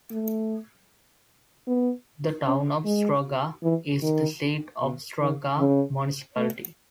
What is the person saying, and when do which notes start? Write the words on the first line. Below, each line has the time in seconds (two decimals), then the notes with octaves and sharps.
The town of Struga is the seat of Struga Municipality.
0.12 A3
1.67 B3
2.46 C#4
2.85 G#3
3.63 E3
4.03 D#3
4.80 B2
5.20 D#3
5.59 C#3
6.37 A3